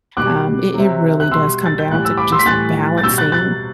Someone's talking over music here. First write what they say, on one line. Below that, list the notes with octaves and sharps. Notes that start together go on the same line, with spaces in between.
um, it it really does come down to just balancing,
B2 G3 D6 F#6
C3 F#3
F#6
B2 G3 C6 E6
A6
G6
A2 E3 G3 F#6
E6
B5 D6
C6 E6
B6
A2 E3 G3 F#6 A6
A6
B2 G3 E6 G6
F#6 A6
F#6 A6